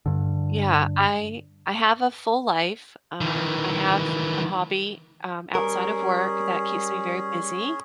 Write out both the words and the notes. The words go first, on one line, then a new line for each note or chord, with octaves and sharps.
Yeah, I I have a full life, um, I have a hobby, um, outside of work that keeps me very busy
G2 D3
D#3 E3
G3 C#4 G#4 A#4